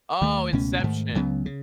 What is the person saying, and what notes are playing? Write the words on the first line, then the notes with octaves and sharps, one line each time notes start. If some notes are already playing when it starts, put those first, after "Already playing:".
Oh, Inception.
D#2 D#3 A3
C#2 B2 A3 C#4
G#2 D#3 A3
C#2 C#3 F#3 B3
C#3